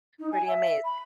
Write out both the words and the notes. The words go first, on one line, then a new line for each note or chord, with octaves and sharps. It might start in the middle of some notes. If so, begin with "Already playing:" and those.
Pretty amazing.
D#4
G#5
E5
B5